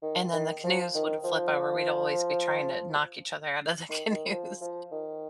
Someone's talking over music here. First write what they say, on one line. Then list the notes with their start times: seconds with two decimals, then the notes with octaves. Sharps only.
and then the canoes would flip over. We'd always be trying to knock each other out of the canoes
0.02 D#3
0.33 D#3
0.64 F3
0.95 D#3
1.24 F3
3.89 D#3
4.10 D#3
4.30 F3
4.61 F3
4.91 D#3